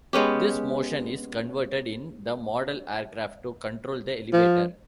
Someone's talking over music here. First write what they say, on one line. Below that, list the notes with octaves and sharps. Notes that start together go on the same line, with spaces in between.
This motion is converted in the model aircraft to control the elevator.
G#3 B3 C#4 G4
F3